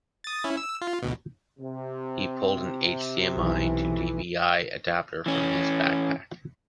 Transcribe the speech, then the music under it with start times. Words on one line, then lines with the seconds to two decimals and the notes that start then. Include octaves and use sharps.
He pulled a HDMI to DVI adapter from his backpack.
0.24 D#6 A6
0.44 C#4 E4
0.57 E6
0.81 F4
1.02 D2 B2
1.59 C3
3.35 B1 E3
5.26 E3 C#4